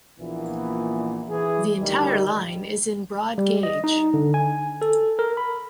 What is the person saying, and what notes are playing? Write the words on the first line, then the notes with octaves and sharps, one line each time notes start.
The Entire line is in broad gauge.
A#1 A#2 E3 B3
E3 G#4
D2 D#3 G3
G3
D#5
D#4
D3
G#5
A4
A#4
B5